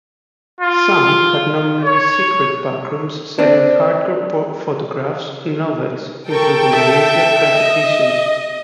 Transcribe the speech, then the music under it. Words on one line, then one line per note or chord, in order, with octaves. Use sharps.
Some had nominally "secret" backrooms selling hardcore photographs and novels, including Olympia Press editions.
F4
C#5
C4 D4
A4 A#4 G5 C#6
E5
D#5